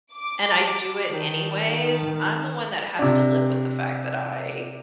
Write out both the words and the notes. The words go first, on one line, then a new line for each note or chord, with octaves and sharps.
and I do it anyways, I'm the one that has to live with the fact that I
D6
D#3 A5
C3 D4